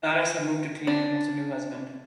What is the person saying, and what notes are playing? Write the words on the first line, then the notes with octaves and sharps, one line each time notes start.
Alice had moved to Cleveland with her new husband.
D4